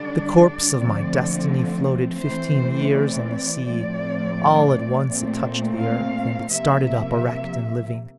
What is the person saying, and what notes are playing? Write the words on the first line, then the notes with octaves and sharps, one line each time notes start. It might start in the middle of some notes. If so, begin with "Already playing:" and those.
The corpse of my destiny floated fifteen years on the sea; all at once it touched the earth, and it started up, erect and living.
Already playing: D3 G3 D4 D5
D3 F3 A3 C4
E3 A3 C4 C5
D5
A2 F3 A3 C4
A#2 A3 C4
F5
C3 F3 A#3 E5
E5